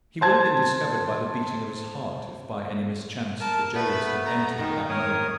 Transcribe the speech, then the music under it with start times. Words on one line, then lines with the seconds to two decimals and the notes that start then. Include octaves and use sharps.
He would have been discovered by the beating of his heart, if by any mischance the jailers had entered at that moment.
0.21 C5 A5 G#6
3.40 A#4 A5
3.74 A3 B3 B4
4.25 A#5
4.58 D#3
4.89 A#4 C#5 D#6